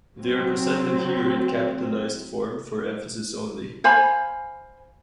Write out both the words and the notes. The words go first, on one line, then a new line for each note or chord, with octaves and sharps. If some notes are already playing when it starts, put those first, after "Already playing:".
They are presented here in capitalized form for emphasis only.
F#3 C4
C5 F5 G#5 B5